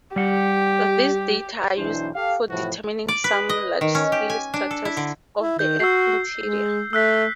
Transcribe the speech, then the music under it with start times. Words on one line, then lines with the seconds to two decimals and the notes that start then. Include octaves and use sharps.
These data are used for determining some large scale structures of the Earth interior.
0.16 G3 G4 F#5
1.78 B1 E3 D4 E4 C5
2.15 G4 A4 F5
2.49 A2 C3 E3 F3 F#4
3.08 D5
3.24 B4
3.49 D#5
3.81 D#3
3.95 C#4
4.12 G4
4.30 G#5
4.54 D4
4.71 A4
4.85 E4
4.97 D3
5.41 E4
5.59 D#3 G6
5.80 F#4 E6 C7
6.40 G#3
6.93 A3 E6 F#6 B6